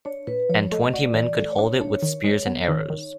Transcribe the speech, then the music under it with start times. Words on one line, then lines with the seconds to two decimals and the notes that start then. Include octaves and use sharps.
And twenty men could hold it with spears and arrows.
0.05 D4 C#5
0.27 A#2 B4
0.49 F3 C#5
0.71 A3 D#5
0.93 F#4 D5
1.15 E3
1.22 D5
1.37 A3
1.52 C#5
1.59 D4
1.80 D4 C#5
2.02 D#3
2.24 G#3
2.46 B3
2.68 D#3
2.90 D#3